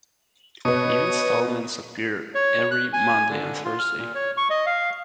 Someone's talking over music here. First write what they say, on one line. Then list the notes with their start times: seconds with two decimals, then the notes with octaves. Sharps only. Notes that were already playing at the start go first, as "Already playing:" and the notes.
New installments appear every Monday and Thursday.
0.65 B2 B3 C#5 D#6
2.35 C#5
2.71 F#6
2.93 G#5
3.30 D3
3.65 F4
3.79 F6
3.98 A#2
4.15 C#5
4.37 C#6
4.50 D#5
4.66 F5